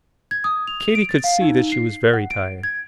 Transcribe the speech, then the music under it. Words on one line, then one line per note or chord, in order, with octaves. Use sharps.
Katy could see that she was very tired.
G#6
D#6
F7
F7
D7
A6
F5
D#4
C7
F#5
D7
G#6